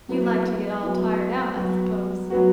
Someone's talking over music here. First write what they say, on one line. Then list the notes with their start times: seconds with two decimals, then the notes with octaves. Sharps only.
"You like to get all tired out, I suppose."
0.09 F#3 B3 E4
0.83 F#3 B3 E4
1.56 F#3 B3 F#4
2.30 F#3 B3 F#4